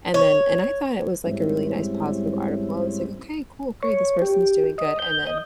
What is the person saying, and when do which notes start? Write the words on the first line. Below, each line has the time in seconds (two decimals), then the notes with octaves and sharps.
and then and I thought it was, like, a really nice positive article. I was, like, "Okay, cool, great, this person's doing good." And then
0.14 C#5
1.26 G#2 G3 G#3 C4 C#4 E4
3.83 C#5
4.22 G4
4.78 D#5
4.99 G6
5.27 D#5